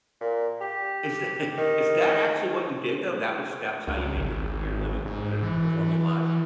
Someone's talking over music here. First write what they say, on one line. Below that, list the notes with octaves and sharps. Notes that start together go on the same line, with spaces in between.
Is that is that actually what you did though? That was that was how you made your r your living, uh, performing live?
A#2
G4
D#3
C#2
G#1
G#2
E3